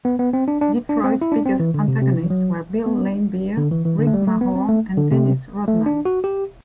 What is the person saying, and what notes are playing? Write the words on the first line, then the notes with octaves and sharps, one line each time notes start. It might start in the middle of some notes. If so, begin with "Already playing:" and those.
Detroit's biggest antagonists were Bill Laimbeer, Rick Mahorn and Dennis Rodman.
B3
B3
C4
D4
D4
D4
C4
E4
D4
C4
E3
D3
C3
C3
E3
F#3
B3
D3
E3
E3
D3
A3
G3
A3
B3
C4
A3
D3
C3
A3
D4
F#4
G4